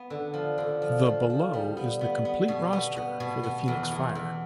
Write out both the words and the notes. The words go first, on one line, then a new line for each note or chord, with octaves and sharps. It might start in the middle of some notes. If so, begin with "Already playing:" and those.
The below is the complete roster for the Phoenix Fire.
Already playing: B3
D3
F3
D3
F3
F3
F3
G3
B3
B3
B3
B2
B3
B3
B2
B3
E2
E2
E2